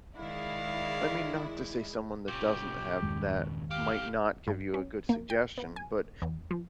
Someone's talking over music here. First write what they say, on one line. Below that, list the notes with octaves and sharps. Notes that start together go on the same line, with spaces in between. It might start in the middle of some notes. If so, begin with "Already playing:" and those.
I mean, not to say someone that doesn't have that might not give you a good suggestion, but
D#3 G#3 E4 D5 F5
A#2 C#3 G4
E2 G2 D#3 G#3
D2 G4 F5
G2
C#4
A#3
G5
B3
G#5
E2
F3